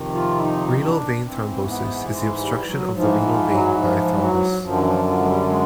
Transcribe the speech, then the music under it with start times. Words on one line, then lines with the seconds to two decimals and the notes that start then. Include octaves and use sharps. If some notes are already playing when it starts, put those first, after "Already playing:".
Renal vein thrombosis is the obstruction of the renal vein by a thrombus.
Already playing: F2 C3 D#3
0.13 F4
0.36 E4
0.41 D#4
0.84 D4
1.25 G#2 E3 C4
1.67 B3
2.09 G#3
2.38 G3
2.66 F#3
2.94 G#2 E3 F3
3.22 F3
3.50 F#3
3.78 F3
4.14 G3
4.20 F#3
4.62 F#2 D3 F3
4.77 E3
4.83 F3
5.04 F3
5.19 G#3
5.26 G3
5.47 G#3